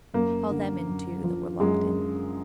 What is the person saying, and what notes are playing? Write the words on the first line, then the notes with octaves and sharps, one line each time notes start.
Call them in, too, that were locked in....
F#2 A#3
D3
F#2
F3
F#2 G#3